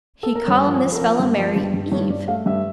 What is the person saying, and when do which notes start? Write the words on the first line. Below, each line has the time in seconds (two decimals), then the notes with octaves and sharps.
He call him this fella Mary, Eve.
0.23 A4
0.35 A#4
0.47 G2 C#5
0.65 F3
0.72 C#5
0.84 F3
0.92 A4
0.95 A#4
1.01 F3
1.19 G2
1.38 F3
1.56 G2
1.74 G2
1.92 G2 C#5
2.10 G2 D5
2.28 A3 F5
2.46 G2 E5